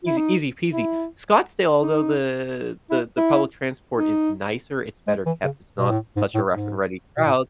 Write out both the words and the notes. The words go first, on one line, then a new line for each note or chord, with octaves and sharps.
easy easy peasy. Scottsdale, although the the the public transport is nicer, it's better kept, it's not such a rough and ready route,
E4
D#4
E4
D#4
E4
E4
D#4
G#3
E3
C#3
B2
A2
G#2
A2
G#2
B2
A2